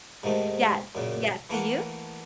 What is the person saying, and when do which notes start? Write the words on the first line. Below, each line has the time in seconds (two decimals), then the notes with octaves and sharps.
Yes, yes, do you?
0.23 G#2 C3 D#3 A3
0.95 F#2 A#2 C#3
1.50 E3 A3 A#3 F#5